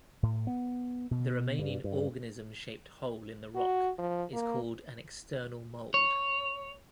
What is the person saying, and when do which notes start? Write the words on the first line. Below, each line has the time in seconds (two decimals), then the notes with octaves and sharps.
The remaining organism-shaped hole in the rock is called an "external mold".
0.23 A2
0.47 B3
1.11 B2
1.59 G2
1.84 G2
3.56 F#4
3.99 F3
4.33 A#3
5.94 C#5